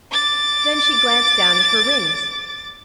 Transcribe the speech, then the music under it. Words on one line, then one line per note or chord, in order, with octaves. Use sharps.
Then she glanced down at her rings.
D6 A6